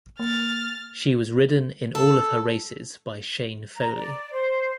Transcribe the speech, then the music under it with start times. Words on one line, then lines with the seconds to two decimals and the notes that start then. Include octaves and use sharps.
She was ridden in all of her races by Shane Foley.
0.19 A#3 F6 A6
1.95 A4
3.75 A#5
3.95 D5
4.32 C5